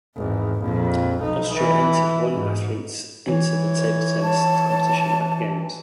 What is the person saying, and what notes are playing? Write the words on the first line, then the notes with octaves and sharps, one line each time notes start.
Austria entered one athletes into the table tennis competition at the games.
G#1 E2
A#1 F2
B1 D#4
E3
G#2
E3 C#5
A5